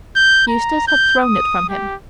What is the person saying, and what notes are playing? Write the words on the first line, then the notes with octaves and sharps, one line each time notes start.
Eustace had thrown it from him.
G6
A#5
G6
D#6
G4